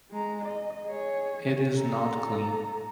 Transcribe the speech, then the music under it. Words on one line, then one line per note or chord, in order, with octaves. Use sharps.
It is not clean.
G#3 A#5
D#5
G#4 C#5
A4 A#5